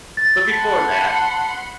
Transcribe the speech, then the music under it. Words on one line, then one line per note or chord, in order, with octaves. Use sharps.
but before that,
A6
F#5 A5 B5 C6